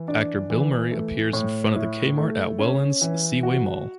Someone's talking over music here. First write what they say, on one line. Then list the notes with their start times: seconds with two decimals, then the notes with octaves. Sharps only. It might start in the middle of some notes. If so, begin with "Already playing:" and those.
Actor Bill Murray appears in front of the Kmart at Welland's Seaway Mall.
Already playing: E3
0.08 D4
0.50 E3
0.91 A3
1.33 A2
1.76 E4
2.17 A3
2.59 C#4
3.01 E3
3.43 F#4